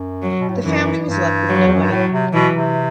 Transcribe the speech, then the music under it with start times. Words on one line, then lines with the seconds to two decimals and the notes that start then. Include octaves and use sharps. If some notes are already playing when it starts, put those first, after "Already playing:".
The family was left with no money.
Already playing: F#2
0.22 F#3
0.40 B2
0.48 A2
0.56 G2
0.64 F#2 E3
1.07 G2
1.49 F#3
1.66 E2
1.74 F#2
1.82 G2
1.90 A2 F#3
2.12 C3
2.33 B2 E3
2.54 C3